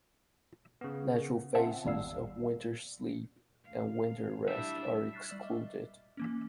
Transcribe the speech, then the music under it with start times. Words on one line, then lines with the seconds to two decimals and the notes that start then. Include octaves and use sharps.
Natural phases of winter sleep and winter rest are excluded.
0.81 C#3 B3
1.55 C4 C#4 F4 E5 F#5 A5
1.84 G#1 E2 G3 F5 E6
3.65 D2 F5
4.48 G3 D4 E4 E5
5.13 C#6 F6 F#6 A6 B6 C7
5.28 G3 D5 E6 A6 E7
5.43 D#5 E5 D6
6.17 E3 A#3 C#4